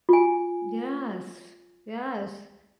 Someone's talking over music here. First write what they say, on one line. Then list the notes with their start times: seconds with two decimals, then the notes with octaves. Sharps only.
Yes. Yes.
0.09 F4 G#5